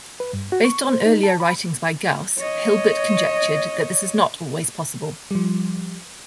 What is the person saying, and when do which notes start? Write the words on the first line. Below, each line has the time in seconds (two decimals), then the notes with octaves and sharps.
Based on earlier writings by Gauss, Hilbert conjectured that this is not always possible.
0.20 B4
0.33 G2
0.52 F#4
0.64 C#6
0.84 C5
1.06 D#4
1.23 A5
1.40 B5
2.38 C#5 D#5
5.31 F3 G3